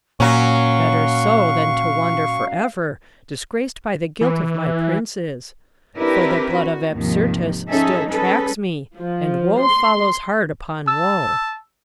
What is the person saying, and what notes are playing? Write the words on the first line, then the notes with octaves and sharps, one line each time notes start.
Better so, than to wander forever, disgraced by the guilt of my princes; for the blood of Absyrtus still tracks me, and woe follows hard upon woe.
A#2 F#3 C#4 F5 C#6
E3
C4 D4 E4 G4 A#4 B4
F#4
D#2 G#2 C3 D#3 F3
F3 C#4 D#4 G#4 A4 E5
G3 C#4 G#4 A4 B4
F3
C6
A5 E6